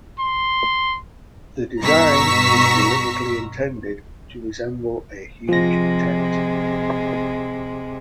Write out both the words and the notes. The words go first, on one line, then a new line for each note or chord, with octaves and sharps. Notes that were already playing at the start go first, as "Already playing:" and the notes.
The design was deliberately intended to resemble a huge tent.
C6
G2 B2 A#5 C#6 E6 B6
C3 F3 G#3 A#6